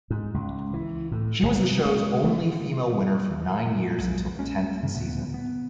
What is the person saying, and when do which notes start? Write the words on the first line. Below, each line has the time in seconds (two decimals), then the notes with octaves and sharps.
She was the show's only female winner for nine years until the tenth season.
0.10 G#2
0.34 C#2
0.73 E3
1.12 A2
1.43 G1
1.55 C3
1.86 G#3
2.24 A3
3.98 B1 F#3 G#3
4.39 G#3 A#3 C#4
4.83 G2 C#3 E3 G3
4.95 D#1 D2 A#2 B3
5.34 B3